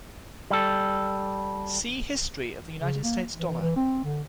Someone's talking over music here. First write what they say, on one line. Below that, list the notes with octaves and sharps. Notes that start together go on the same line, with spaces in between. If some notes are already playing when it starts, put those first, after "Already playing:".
See history of the United States dollar.
G3 A4
C#3
A#3
E3
E3
C4
D3